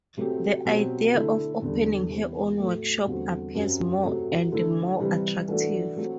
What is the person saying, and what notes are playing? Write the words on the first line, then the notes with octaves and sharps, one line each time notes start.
The idea of opening her own workshop appears more and more attractive.
C3 F#3 A3 C4 G4
B2 F#3 C4 G4
D3 A3 E4
E2 D3 G3
C3 E3 B3
A2 F#3 A3
E2 D3 G3 C4 F#4
F#2 F#3 C4 G4
C3 F#3 A3
D3 A3 E4 A4
C3 E3 G3
E3 A3 D4 F#4 A4
F#3 A3 C4 F#4